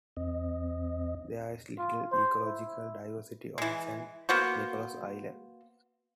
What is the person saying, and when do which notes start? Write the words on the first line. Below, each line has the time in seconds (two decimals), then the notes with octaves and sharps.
There is little ecological diversity on San Nicolas Island.
0.17 E2 C4 D#5
1.78 F4
2.12 C5
2.44 E4
3.58 E3 G#3
4.29 A#3 B3 F#4 C5